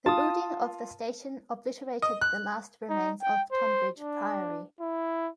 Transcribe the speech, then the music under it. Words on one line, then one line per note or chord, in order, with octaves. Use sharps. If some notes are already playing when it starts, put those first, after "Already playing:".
The building of the station obliterated the last remains of Tonbridge Priory.
F4 A5 D#6
D#5
F#6
D#4
G5
C5
D4
E4